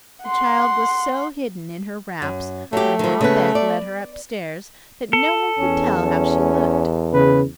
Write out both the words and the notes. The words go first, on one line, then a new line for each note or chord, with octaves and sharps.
The child was so hidden in her wraps when Mom Beck led her up-stairs, that no one could tell how she looked.
F#5 C6
F#2
F#3 A3 G4
D#3 F3
C#3 B3 B4
D5
A4
E2 C#4
C#4
C#3 B4